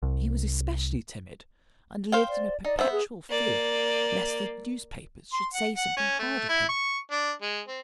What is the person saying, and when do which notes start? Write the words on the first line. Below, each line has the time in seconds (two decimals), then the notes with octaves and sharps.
He was especially timid, and lived in a perpetual fear lest the newspapers should say something hard of him.
0.03 C2
2.12 C5 F5 G5
2.29 D5
2.65 D#4 D5
2.79 B3 C5 E5
2.92 G#4
3.30 A#3 D5
5.33 C6
5.54 F#5
5.76 F#5
5.97 C#4
6.19 A3
6.49 E4
6.69 C#6
7.11 D4
7.42 G#3
7.68 C4